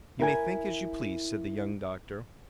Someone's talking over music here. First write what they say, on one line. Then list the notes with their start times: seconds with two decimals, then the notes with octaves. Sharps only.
"You may think as you please," said the young doctor.
0.19 E4 A#4 G5 G#5